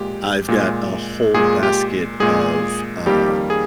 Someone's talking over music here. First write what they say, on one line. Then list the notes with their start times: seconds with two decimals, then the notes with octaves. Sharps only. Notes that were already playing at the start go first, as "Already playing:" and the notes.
I've got a whole basket of, uh,
Already playing: A#2 G#3 G4
0.48 A#2 G#3
1.34 A#2 G#3 G#4
1.63 G4
2.20 A#2 G#3 G#4
3.06 F2 D#3 G3 A#3 G4
3.50 G#4